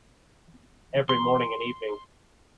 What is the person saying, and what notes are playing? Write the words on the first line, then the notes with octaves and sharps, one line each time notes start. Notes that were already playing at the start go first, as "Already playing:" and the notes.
Every morning and evening.
C6